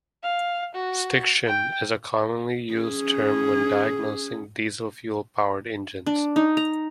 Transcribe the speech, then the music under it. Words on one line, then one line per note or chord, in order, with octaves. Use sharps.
Stiction is a commonly used term when diagnosing diesel fuel powered engines.
F5
F#4
G5
C#4 G#4
D4
D#4
A#5